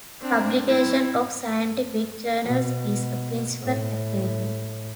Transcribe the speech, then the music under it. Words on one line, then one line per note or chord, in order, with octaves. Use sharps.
Publication of scientific journals is a principal activity.
C4 D4
C4 E4
B2
A2